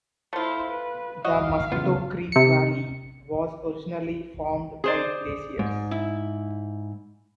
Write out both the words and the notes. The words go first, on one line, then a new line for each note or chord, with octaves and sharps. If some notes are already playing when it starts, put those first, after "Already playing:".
The Mosquito Creek Valley was originally formed by glaciers.
A3 E4 F4 C5
B4
F#4 D#5 F5
C#3 E3 B3 F4
C3 C#7
G#4 C5 D5
G#2
E4